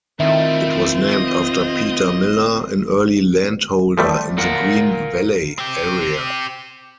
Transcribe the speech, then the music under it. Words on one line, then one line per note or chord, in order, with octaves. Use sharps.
It was named after Peter Miller, an early landholder in the Green Valley area.
D#3 A3 C4 E4 F4 E5
D#5
F3 G3 A3
F4 A#4 F#5
C4 G4